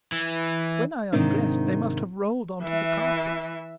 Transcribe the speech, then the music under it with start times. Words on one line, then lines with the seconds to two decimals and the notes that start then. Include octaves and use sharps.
When I undressed, they must have rolled on to the carpet.
0.12 E3
1.12 G#2 C3 D#3 C4 D4 D#4
2.63 E3 E5